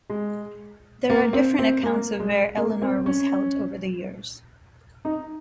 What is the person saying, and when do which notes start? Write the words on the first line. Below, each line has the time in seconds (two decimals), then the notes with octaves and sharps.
There are different accounts of where Eleanor was held over the years.
0.10 G#3
1.10 A#3
1.33 C4
1.59 C4
1.83 A#3
2.20 G#3
2.57 A#3
2.82 C4
3.06 C#4
5.05 D#4